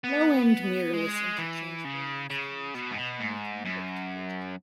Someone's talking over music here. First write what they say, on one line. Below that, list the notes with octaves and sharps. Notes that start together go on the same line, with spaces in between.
Low-end mirrorless interchangeable lens cameras offer an alternative to bridge cameras.
B3
G#3
E3
C#3
C#3
B2
G#2
B2
G#2
F#2